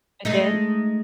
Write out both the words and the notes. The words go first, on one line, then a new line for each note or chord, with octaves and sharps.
it did
G#3 A3 D#4